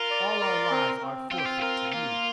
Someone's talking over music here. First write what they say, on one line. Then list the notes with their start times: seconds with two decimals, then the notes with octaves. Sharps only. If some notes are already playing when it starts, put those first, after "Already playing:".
All our lives are forfeit to you.
Already playing: F4 A#4
0.11 D5
0.41 A#4
0.71 C4
1.01 C4
1.32 C4 F4
1.38 G4
1.46 F4
1.62 F4 A#4
1.92 A#3 F4